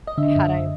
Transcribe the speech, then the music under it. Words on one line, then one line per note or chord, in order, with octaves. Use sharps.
had I
D#5
D3 E5
F#2